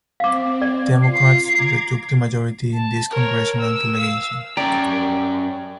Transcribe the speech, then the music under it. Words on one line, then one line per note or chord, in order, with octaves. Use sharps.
Democrats retook the majority in this congressional delegation.
C4 F5 D6
D5
F4 C7
A#5 D6 G#6
A5
A#4 C#5
E6
F5 E6
F#2 C#4 G4 D5 A#5